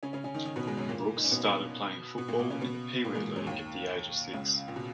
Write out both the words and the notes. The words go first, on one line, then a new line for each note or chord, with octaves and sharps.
Brooks started playing football in a pee wee league at the age of six.
C#3 C#4
C#3 C#4
C#3 C#4
D#3 D#4
D#3 D#4
B2 B3
G#2 G#3
F#2 F#3
A#2 A#3
D#4
C#4
B2 B3
B2 B3
A#2 A#3
A#2 A#3
C#3 C#4
B2 B3
A#2 A#3
G#2 G#3
F#2 F#3
D#2 D#3
C#2 C#3
A#2
B2